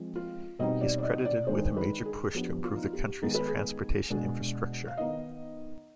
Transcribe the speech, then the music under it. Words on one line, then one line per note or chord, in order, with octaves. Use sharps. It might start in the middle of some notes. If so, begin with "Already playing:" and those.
He is credited with a major push to improve the country's transportation infrastructure.
Already playing: F3 G#3 C4
F4
B2 G3 C4 D#4 D#5
D5
D5
D#5
D5
D#3 G#3 D4 C5
B4
G#4
F3 B3 D4 G4
F4
D#4
F4
G4
D#3 G#3 B3 D#4 G#4
B4
G#4
B2 G#3 D4
F5
D#3 B3 D#4 D#5